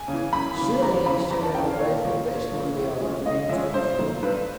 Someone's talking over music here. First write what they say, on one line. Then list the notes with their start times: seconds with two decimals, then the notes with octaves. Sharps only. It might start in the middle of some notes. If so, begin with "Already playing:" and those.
Stuart Lake and Stuart River, both in British Columbia are named after him.
Already playing: G#5
0.08 C#3
0.13 E3
0.33 F#2 B5
0.57 C#3 E3
0.82 E2 A#5
1.05 C#3 E3 B5
1.30 E2 A#5
1.43 A5
1.54 C#3 E3 G5
1.67 F5
1.79 A#2 C#5
2.03 F3 A#3
2.28 A#2
2.52 F3 A#3
2.77 A2
3.01 F3 G#3 C#4
3.25 A2 D#5
3.49 F3 G#3 C#4 E5
3.74 G2 C5
3.99 D#3 F#3 A3
4.23 G2 B4